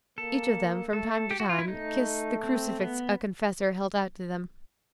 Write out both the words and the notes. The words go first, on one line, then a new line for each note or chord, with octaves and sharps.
Each of them, from time to time, kissed the crucifix a confessor held out to them.
A#3 A4
A3 A4
G4
F#4
F4
E4
A3 D#4
C4
B3